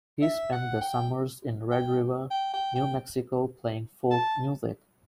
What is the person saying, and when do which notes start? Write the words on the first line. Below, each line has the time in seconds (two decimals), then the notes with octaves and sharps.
He spent the summers in Red River, New Mexico playing folk music.
0.22 E5
0.52 F#5
0.81 G5
1.72 G5
2.31 G5
2.54 G5
2.76 G5
4.11 A5